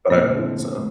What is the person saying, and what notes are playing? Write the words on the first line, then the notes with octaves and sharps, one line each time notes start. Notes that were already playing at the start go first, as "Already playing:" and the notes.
but I don't think so.
E2 A#2 A#3
D3 F3 C4 E4
E2